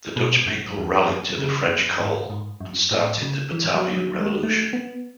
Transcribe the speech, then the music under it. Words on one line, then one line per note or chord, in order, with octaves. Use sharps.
The Dutch people rallied to the French call and started the Batavian Revolution.
B2
F#2
E2
F#2
C#3
F#2
G#2
G#2
F#2
A2
C#3
E3
F#3
F#3
G#3
A3
B3